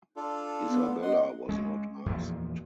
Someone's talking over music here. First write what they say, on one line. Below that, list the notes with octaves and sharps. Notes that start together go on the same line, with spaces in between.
Isabella was not asked.
D4 F4 A4
B3
D#5 F#5 C6
G#3 C#4
E2 A#2 F3